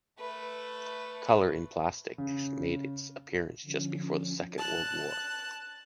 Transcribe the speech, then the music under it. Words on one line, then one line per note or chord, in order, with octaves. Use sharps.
Color in plastics made its appearance just before the Second World War.
A3 B4
C#3
D3 F3 C#4
A5 F#6